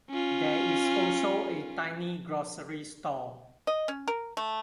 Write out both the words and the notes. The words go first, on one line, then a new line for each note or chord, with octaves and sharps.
There is also a tiny grocery store.
C#4 F4
D#5
C#4
A#4
A3